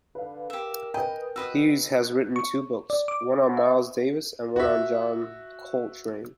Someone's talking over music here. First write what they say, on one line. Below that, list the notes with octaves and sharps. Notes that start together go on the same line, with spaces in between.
He has written two books, one on Miles Davis and one on John Coltrane.
D3 B4 F5
G4 A#4 E5
B4 D#5 G5 G#5
F#4 B4 D#5 E6
C#6
D5
D6
E5
F#4 E5